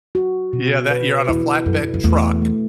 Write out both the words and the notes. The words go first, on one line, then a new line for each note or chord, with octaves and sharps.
Yeah, that you're on a flatbed truck,
F#4
B2
B4
E2 E4
F#2 A4
F#2
E2 A3
A3